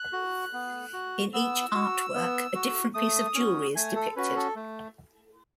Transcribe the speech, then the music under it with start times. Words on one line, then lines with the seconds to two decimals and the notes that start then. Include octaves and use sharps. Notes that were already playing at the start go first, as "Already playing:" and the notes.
In each artwork, a different piece of jewelry is depicted.
Already playing: F#6
0.13 F#4
0.53 B3
0.93 F#4
1.33 B3 E6
1.74 F#4
2.14 B3
2.55 F#4
2.94 A3 D#6
3.35 C#4 F#4
3.75 A3 G#5
3.96 A4
4.16 C#4 F#4 B4
4.36 A4
4.56 A3